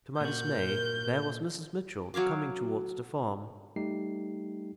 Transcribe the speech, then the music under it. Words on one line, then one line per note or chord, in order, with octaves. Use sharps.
To my dismay, there was Mrs. Mitchell coming towards the farm.
A#2 F#4 A#4 G6
F#3 C#5 F5 D6
G3 A3 D#4 G4 C7